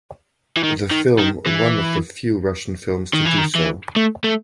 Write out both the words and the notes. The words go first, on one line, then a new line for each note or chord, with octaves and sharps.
The film one of the few Russian films to do so.
E3
D#3
D#3
D#3
E3
D#3
E3
D#3
E3
A3
A3